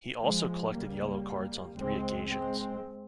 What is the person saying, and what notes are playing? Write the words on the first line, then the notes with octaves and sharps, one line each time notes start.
He also collected yellow cards on three occasions.
F3 G#3
C#2 C#3 G3 A#3
C#2 C#3 G#3 C4
G#3 C4